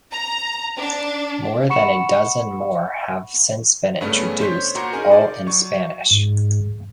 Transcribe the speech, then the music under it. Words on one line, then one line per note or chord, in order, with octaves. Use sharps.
More than a dozen more have since been introduced, all in Spanish.
A#5
D4
F#5 B5 C#6 C#7 E7
G2 C#3 A3 B3 C#4 D4
C5 C#5 G6 B6
A#2 F#4 A#5 C6 G6 C#7
C#4 D#4 G#4 A#4
D5
F#3 C#6
G#2